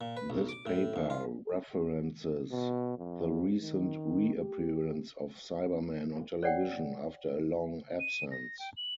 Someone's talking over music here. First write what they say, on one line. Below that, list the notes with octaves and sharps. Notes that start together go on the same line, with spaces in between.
This paper references the recent reappearance of Cybermen on television after a long absence.
A#2
B4
B1
D6
A2
D#2
F4
B2
F2
D#3
G4
C#5 D5 F#5 G5
D#7
A#6
G5
F#7